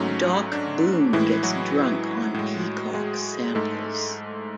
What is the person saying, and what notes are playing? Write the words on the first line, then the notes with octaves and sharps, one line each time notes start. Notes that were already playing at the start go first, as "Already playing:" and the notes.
Doc Boone gets drunk on Peacock's samples.
Already playing: G#2 F#3 A3 C#4
D4
A2 E3 G#3 E4
F#3 F#4
A2 G#3
G#3 G#4
G#2 G#3 A3 A4